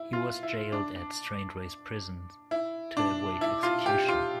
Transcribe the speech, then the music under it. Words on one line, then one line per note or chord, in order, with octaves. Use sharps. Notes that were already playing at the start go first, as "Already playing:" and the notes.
He was jailed at Strangeways Prison to await execution.
Already playing: E4
F4
E4
D4
E4
D4
E4
F4
G4
F4